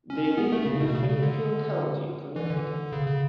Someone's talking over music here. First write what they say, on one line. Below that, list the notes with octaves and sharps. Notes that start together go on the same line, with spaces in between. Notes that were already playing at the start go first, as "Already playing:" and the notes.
They live in Fairfield County, Connecticut.
C#4
C#4
B3
A3
C#3
B2
C#3
C#3
D3
E3
D3
C#3
C#3